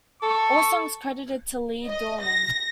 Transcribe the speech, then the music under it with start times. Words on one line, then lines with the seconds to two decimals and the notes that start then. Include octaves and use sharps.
All songs credited to Lee Dorman.
0.23 A4 C#6
1.88 D#5
2.22 A#6